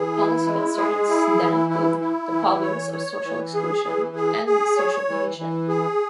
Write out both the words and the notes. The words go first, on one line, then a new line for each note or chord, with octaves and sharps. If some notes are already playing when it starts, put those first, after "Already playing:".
Policy concerns then include the problems of social exclusion and social cohesion.
Already playing: E3 G#4
E4
G#3
G#4
E4
E3
E4
E4
E3
C#5
C#5
E3
G#4
E3
G#4
G#4
C#5
E3
E3
G#4